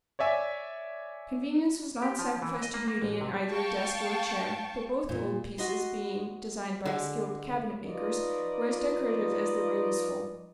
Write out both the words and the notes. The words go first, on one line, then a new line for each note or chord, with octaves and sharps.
Convenience was not sacrificed to beauty in either desk or chair; but both the old pieces, being designed by skilled cabinet-makers, were as decorative as they were useful.
C#5 D5 E5 G#5
G4
F3
E3
D#5
A#3
A#3
A1
C3
F5 G5 A5 C#6
A#2
F#4 D#5 C6
D3 G#3
F3 D#4 F4 B4 D5 D#5